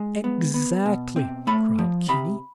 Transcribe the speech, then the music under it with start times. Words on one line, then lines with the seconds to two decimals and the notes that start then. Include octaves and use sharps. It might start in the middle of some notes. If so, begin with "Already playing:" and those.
"Exactly!" cried Kinney.
Already playing: G#3
0.24 B3
0.54 B3
0.86 B2
1.16 C4
1.47 A3 B5
1.79 F3
2.08 C3 B5